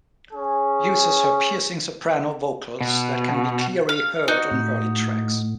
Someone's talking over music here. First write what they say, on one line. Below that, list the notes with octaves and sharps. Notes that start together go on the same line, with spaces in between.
Uses her piercing soprano vocals that can be cleary heard on early tracks.
C#4 G#4
B2
F5
D#4 F#4
A2